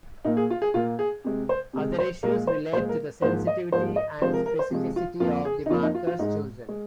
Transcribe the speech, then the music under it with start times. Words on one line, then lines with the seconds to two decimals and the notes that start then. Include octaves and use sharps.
Other issues relate to the sensitivity and specificity of the markers chosen.
0.25 A#2 A#3 D#4
0.37 G#4
0.50 F4
0.62 G#4
0.74 A#2 A#3 F4
0.99 G#4
1.25 C3 G#3
1.49 C5
1.73 C3 G#3
1.99 C5
2.23 A#2 G#3 A#4
2.47 C5
2.72 A#2 C5
2.77 G#3
2.89 A#4
3.22 G#2 F3 A#3 C5
3.47 D#5
3.72 G#2 F3 A#3 C5
3.96 D#5
4.21 C3 F3 G#3 C5
4.34 A#4
4.46 A#4
4.59 C5
4.71 C3 F3 G#3
4.96 F4
5.20 F2 F3 A#3 F4
5.45 G#4
5.66 D#4
5.70 F2 F3 A#3 F4
5.83 D#4
5.95 F4
6.07 F4
6.19 G#2 G#3 D#4
6.69 G#3